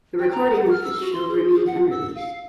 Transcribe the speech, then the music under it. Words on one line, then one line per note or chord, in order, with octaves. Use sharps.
The recording of this show remains unreleased.
G5
A#5
F#5
F6
E6
F#4
C6
G#4
G#4
F#5
E6
F5